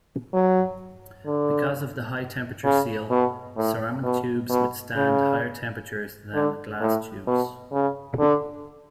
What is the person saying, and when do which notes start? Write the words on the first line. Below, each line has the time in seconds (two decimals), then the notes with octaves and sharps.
Because of the high-temperature seal, ceramic tubes withstand higher temperatures than glass tubes.
0.34 F#3
1.26 D3
2.65 C#3
3.10 B2
3.57 A2
4.04 B2
4.50 B2
4.96 C#3
6.34 D3
6.81 A2
7.27 B2
7.73 C#3
8.19 D3